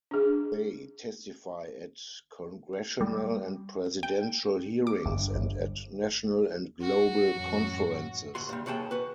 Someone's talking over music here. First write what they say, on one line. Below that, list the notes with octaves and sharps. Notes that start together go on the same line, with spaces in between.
They testify at Congressional and Presidential hearings and at national and global conferences.
D4 G#4
G3
G5
D6
G1
G1
F#4
A1 F#2
D2 F#4 C6
A#2 G3
D#2 F#4 G#4 G5 A5
F#4 B4